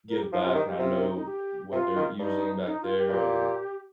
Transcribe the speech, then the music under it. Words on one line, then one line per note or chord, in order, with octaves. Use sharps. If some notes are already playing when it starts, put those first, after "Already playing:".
give back, and I know what they're using back there, and
A#4
G4
F3 D#4
C3 F4
D#3 G4
G4
C3 F4
F4
D#4
D#4
G4
C3 F4
D#3
G2 D#4
D#4
F4
G4
G2
A#2